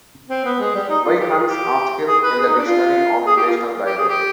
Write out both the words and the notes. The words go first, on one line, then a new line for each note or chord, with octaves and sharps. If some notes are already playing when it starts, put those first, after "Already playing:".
W. Hunt's article in the "Dictionary of National Biography".
C4
B3
G#3
G3
D#4
F4
G4
G#4
F4
G4
G#4
B4
G#4
D#4
D4
F4
G#4
G4
F4
G4
G#4
G4